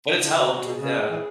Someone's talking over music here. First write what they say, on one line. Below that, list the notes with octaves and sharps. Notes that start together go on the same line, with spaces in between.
But it's helped, yeah.
D3 E4
D3 F#4
B2 F#4
B2 G#4
C#3
E3